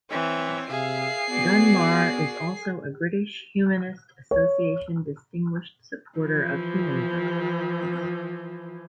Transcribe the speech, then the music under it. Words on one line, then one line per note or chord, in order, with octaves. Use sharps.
Dunbar is also a British Humanist Association Distinguished Supporter of Humanism.
E3 C4 C#5
C3 G#4 E5 F5 C7
B3 F#4 D5
C#5
E3 F3